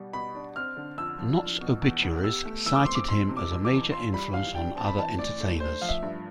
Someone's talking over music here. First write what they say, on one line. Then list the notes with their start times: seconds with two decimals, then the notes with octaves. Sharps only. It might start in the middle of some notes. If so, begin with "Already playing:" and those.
Knotts' obituaries cited him as a major influence on other entertainers.
Already playing: B2 G3
0.13 B2 B5
0.35 D4
0.56 C4 F6
0.77 D3
0.98 F2 E6
1.18 F3
1.40 D4
1.61 B2
1.82 E2
2.02 B3
2.24 G4 E6
2.45 A3
2.65 E3 E6
2.75 D6
2.86 C4 C6
2.95 D6
3.08 F2 C6
3.29 C3
3.37 D6
3.51 F2
3.65 D6
3.71 E3
3.92 F4 C6
4.13 G3 B5
4.34 E3 F5
4.55 D4 G5
4.76 C4 A5
4.88 B5
4.98 E3 A5
5.18 A2 D5
5.40 A3
5.60 D4 C5
5.82 F3 F5
5.89 E5
6.02 G2